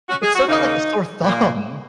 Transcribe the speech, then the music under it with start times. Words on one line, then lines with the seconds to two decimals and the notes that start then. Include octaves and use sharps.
It stuck out like a sore thumb.
0.09 C#4 F#4
0.22 G#4
0.35 F#4
0.48 D#2 C#3 A#3 D#4
1.23 A#2 A#3